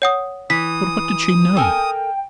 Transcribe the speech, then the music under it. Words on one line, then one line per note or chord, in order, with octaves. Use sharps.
"But what did she know?"
C#5 F#5 D#6
E3 D#6 B6
A4 A#4 G5 G#5